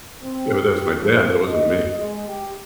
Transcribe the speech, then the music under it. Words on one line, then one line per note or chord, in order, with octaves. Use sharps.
Yeah, but that was my dad, that wasn't me.
C4
G4
F3
D#5
G#3
G4